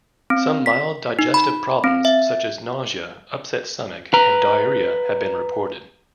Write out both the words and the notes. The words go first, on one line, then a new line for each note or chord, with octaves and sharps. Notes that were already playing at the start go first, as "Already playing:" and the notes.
Some mild digestive problems such as nausea, upset stomach, and diarrhea have been reported.
C4
B6
D#4
B5
C4
E5
B4 A#5